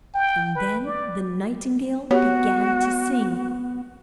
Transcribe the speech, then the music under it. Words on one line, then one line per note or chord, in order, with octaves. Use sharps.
And then the Nightingale began to sing.
G5
B4
D5
B3 F#4 G4 C#5